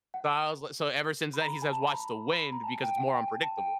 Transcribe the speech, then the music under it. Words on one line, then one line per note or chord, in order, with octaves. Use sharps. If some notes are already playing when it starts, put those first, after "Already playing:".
So I was, like so ever since then, he says, "Watch the wind because it's more unpredictable."
F#5
B5
A#5
B5
G#5
A5
A#5
B5
B5
A#5
A5
G#5
G5
F#5
G5
G#5
A5
G5